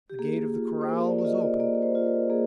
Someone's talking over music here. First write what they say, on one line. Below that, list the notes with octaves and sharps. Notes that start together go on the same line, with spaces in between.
The gate of the corral was opened.
G4
A#3 G#4
F4
C5
A#3 A#4
D5
D5
F4 D#5
D5
A#3 D5
C5
F4
A#4
A#3 G#4